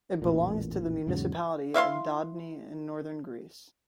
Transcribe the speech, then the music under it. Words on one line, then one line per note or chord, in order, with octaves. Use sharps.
It belongs to the municipality of Dodoni in northern Greece.
A1 E2 A#2
E2 G#2 C#3 F#3
E4 E5 F5 C6